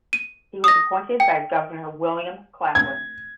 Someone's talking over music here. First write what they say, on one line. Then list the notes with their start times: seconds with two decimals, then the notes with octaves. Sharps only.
He was appointed by Governor William Claflin.
0.13 D#7
0.64 D#6 A#6
1.20 G5
2.75 G#6